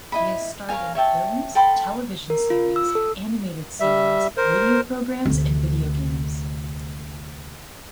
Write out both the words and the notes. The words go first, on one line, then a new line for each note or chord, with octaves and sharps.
He has starred in films, television series, animated series, radio programs and video games.
E4 D#5 B5
A#4 C#5 F5 G#5
C#5 E5 G5 A5
A4 G5 B5 C6
A#4
F4
E6
A4
G3 E5
A#4 C5
D2 C3